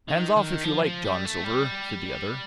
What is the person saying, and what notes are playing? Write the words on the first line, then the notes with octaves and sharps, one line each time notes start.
"Hands off, if you like, John Silver," said the other.
D#3
D#3
F3
F3
G3
A3
G3